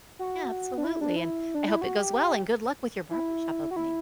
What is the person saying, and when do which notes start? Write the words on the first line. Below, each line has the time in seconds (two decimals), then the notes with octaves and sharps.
Yeah, absolutely, and I hope it goes well and good luck with your barbershop opening.
0.19 F#4
0.78 D4
0.84 E4
1.01 D4
1.16 E4
1.55 D4
1.68 E4
1.81 F#4
1.98 G4
3.11 E4
3.71 F#4
3.76 E4